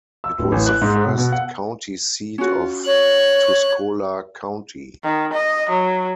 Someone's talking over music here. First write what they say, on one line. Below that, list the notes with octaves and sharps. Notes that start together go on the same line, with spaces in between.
It was the first county seat of Tuscola County.
E6
D1
A1
F#6
G#2
B2
B2
F#5
C#4 F4 F#4
C#5 F#6
D#3
D#5
F#3